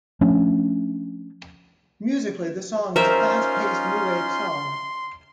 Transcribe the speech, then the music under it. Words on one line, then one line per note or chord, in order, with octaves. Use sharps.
Musically, the song is a fast paced new wave song.
F3 A3 C#4 D4
C#4 D#4 F4 A#4 C5 E5 C6